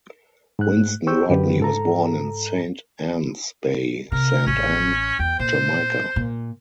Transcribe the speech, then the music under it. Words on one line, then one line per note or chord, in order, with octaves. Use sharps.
Winston Rodney was born in Saint Ann's Bay, Saint Ann, Jamaica.
G#2 F#6
G4 C5 C#6 E6 G6
F#2 D3 G4 B4
G#2 A4 A#5
C3 A#4
A1 C#4
E2 G5
A#2 C5
A#2